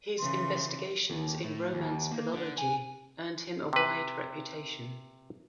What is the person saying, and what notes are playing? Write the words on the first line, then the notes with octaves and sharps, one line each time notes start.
His investigations in Romance philology earned him a wide reputation.
C#3 E3 C6
D#2
A2
D#2
A#3
D3
G#5
C3 B4